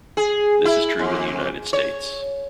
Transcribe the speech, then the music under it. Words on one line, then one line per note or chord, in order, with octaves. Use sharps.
This is true in the United States.
G#4
E4
F2
C#5